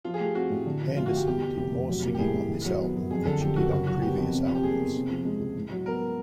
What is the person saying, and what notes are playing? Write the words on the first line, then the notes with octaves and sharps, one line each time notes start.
Anderson did more singing on this album than she did on previous albums.
F3 F4
G#4
A3 G4
C4 F#4
A2
D3
F3
D2 F4
F#4
D2 G4
E2 G4
B2 G4
F1 G4
F1
F#3
A#3
G4
A2 G#4
A2
D#3
F#3
B3
F#2
F2 G#4
D3 A4
F3 G4
F#1 F#4
C#3 F#4
F#3 F#4
B3 G4
F2
C3
F3
G4
A#3 G#4
E2
C3
F3
G#3
C#2
A2
F#3
B3 A#4